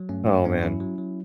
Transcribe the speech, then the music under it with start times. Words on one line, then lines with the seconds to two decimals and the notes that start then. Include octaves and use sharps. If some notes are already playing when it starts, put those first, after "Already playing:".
Oh, man.
Already playing: F#3
0.09 G2 A3 C#4
0.26 G2 A3 C#4
0.45 G2 B3 D4
0.62 F#3 C#4 E4
0.80 F#3
0.98 F#3